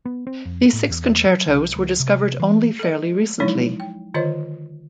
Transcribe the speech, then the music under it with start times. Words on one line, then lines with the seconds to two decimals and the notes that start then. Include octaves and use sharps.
These six concertos were discovered only fairly recently.
0.05 B3
0.27 C4
0.45 F2
0.73 A2
0.89 E2
1.26 F#3
1.48 C2
1.76 C#2
2.00 C3
2.40 E3
2.79 A4 D#5
3.40 F3 F#3 G#3 D#4 E4 C#5
3.80 G5
4.14 D3 D#3 F4 C5 C#5 D#5